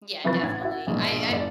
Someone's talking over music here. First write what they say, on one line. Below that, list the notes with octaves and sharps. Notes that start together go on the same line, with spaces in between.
Yeah, definitely. I I
C3 E3 F3 B4 C#6 A6
A1 F#5 G#6
E4 F#4
A#1 G#2 B2 E3
F#1 D5